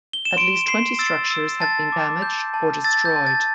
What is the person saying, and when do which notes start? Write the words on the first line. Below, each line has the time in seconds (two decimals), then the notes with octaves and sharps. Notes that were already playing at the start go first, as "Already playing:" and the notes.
At least twenty structures have been damaged or destroyed.
0.13 G7
0.25 E7
0.37 C6 D7
0.68 C6 C7
0.99 E6 A6
1.30 E6
1.60 A5 A6
1.92 D6
2.22 G6
2.54 A5
2.84 E6 A6
3.05 G6
3.16 A5
3.26 A6